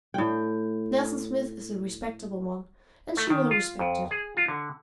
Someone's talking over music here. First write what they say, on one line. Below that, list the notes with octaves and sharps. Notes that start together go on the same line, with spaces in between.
Nelson Smith is a respectable one, and she'll respect it!
A2 G5
A3
D#3
F4
F2
G#4
F4
D3